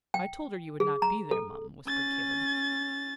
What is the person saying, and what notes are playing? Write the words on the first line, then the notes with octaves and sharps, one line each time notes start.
"I told her you would not be there, mum," whispered Caleb.
G5
G#4
A#5
A4
C#4 A6